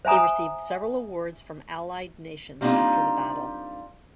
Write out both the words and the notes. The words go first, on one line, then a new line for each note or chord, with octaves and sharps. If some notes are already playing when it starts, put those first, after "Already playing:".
He received several awards from allied nations after the battle.
C5 E5 G#5 A#5 D#6
G3 A#3 C4 D4 D#4 F4